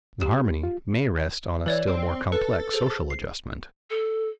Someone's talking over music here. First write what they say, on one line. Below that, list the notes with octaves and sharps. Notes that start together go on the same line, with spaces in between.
The harmony may rest on a still more complex social adjustment.
G4
F4
E3 C#5 D5 F#7
C4
A4 B4
G#4 C5
C7
A4